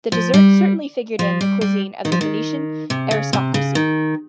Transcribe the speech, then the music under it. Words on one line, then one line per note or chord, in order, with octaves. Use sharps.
The dessert certainly figured in the cuisine of the Venetian aristocracy.
F3
G3
F3
G3
G3
D#3
F3
D#3
C3
C#3
C3
C#3
D#3